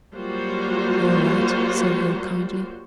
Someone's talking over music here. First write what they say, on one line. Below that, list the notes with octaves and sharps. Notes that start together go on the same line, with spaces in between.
"All right," said Hale kindly.
F#3 G3 A#3 F4 F#4 C5